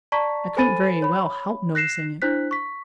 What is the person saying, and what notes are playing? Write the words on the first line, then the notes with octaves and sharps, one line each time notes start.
"I couldn't very well help noticing it."
D5 A5 A#5 C#6 B6
A4 C5 G#5 B5 A6 D#7
C#5 B5
F#6 A#6 C7 E7
D4 E4 C5 F#6 B6
C#6 B6